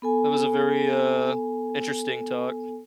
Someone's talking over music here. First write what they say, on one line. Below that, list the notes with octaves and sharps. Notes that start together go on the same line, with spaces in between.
That was a very, uh, interesting talk.
B3 A4 G#5